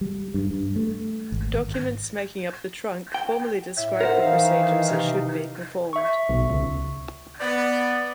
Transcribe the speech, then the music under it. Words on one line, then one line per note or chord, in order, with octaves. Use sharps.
Documents making up the trunk formally describe the procedure as it should be performed.
G3
G2
G2
A3
G#1
G5
A2 C#5 E5
A#4 C5 F#5
D#3 E3 D#4 E5 F5
C3
E5 C#6
B1
C#2
B3 D5